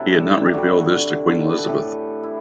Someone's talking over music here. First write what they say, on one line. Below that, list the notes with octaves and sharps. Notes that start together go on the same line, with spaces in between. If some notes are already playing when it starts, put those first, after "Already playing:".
He had not revealed this to Queen Elizabeth.
Already playing: C3 F#3 A3 D4 E4
G4
D3 G3 F#4
B4
A4
A2 E3 A3 G4
E4